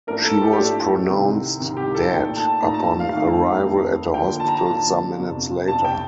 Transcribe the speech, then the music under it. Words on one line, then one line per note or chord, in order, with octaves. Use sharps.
She was pronounced dead upon arrival at a hospital some minutes later.
A1 A2 F3 A3 D4 A#4
A4
G4
G4
A1 A2 F3 A3 D4 A4
C2 C3 D#3
C2 C3 D#3
G4
A4
A#2 A3 D#4 G5
A5
A#2 A3 D#4 A#5
A5
F5
F2 D#3 A3 D#4 F5
F2 D#3 A3 D#4
D#2 D3 F3 A#3 G5
A5
A#5
A5
D#2 D3 F3 A#3 A5
G1 F2 C3
G1 F2 C3 A5
G5